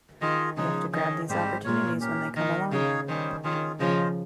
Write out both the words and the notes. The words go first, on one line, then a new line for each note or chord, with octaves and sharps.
You have to grab these opportunities when they come along.
D#3 F4 G#4 D#5
C#3 F3 G#3 D#4 G#4
D#3 C#4 G#4 D#5
G#2 G3 C4 G4 C5
A#2 F4 A#4 C#5
C#4 G4 A#4
D#3 D#4 A#4 D#5
C#3 D#4 G#4 C#5 F5
D#3 G3 C#4 G#4 C5
D#3 C#4 F4 G#4
C#3 F3 C#4 F4 C5 D#5